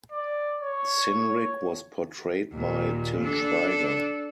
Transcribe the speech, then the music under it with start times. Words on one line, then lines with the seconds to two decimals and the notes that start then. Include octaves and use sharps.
Cynric was portrayed by Til Schweiger.
0.12 D5
0.61 C#5
2.53 D#2 A#2
3.22 D4 A4